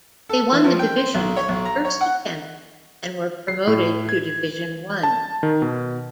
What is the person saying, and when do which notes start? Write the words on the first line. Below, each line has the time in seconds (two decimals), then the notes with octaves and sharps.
They won the division at the first attempt, and were promoted to Division One.
0.29 A4
0.52 E3
0.64 F3
0.79 G5
0.97 C5
1.14 B1
1.36 C#5
1.48 B1
1.65 A#5
1.85 C#5
2.01 F#5
3.48 C7
3.67 A2
4.09 G#6
5.03 A5
5.43 D#3
5.62 B2